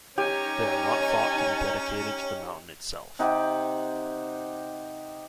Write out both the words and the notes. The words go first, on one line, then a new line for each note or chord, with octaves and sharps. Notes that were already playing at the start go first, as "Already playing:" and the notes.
They are not thought to be dedicated to the mountain itself.
C#4 D#4 G4 C#5 G#5 A#5
C3 D#4 G4 F#5